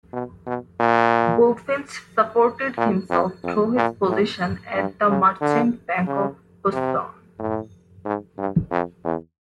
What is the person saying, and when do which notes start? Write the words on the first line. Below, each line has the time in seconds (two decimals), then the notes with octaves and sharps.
Bulfinch supported himself through his position at the Merchants' Bank of Boston.
0.13 B2
0.47 B2
0.80 A#2
2.77 A#2
3.10 F2
3.43 F2
3.76 A#2
4.09 A2
4.75 G2
5.09 C#3
5.41 D3
6.07 C#3
6.73 C3
7.39 A2
8.05 G#2
8.38 G2
8.71 F2
9.05 E2